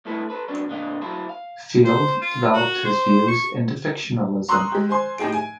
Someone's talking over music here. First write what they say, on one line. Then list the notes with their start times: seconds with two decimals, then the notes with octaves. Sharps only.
Field developed his views into fictionalism.
0.05 G2 A3 E4 A4 B4
0.30 A4 B4
0.48 F#3 B3 C#4 D4
0.68 A#2 D3 D#5 F5
1.01 B1 F#3 E4 F5 A5 B5
1.29 F5
1.85 C5
2.21 F4
2.53 F#4
2.85 C5
3.28 C#6
4.48 A#5 C6 C#6 D#6 E6 F#6
4.72 G#3 G4
4.89 C5 G#5 C6
5.18 A2 D#4 G4 G#4 D7
5.33 G#5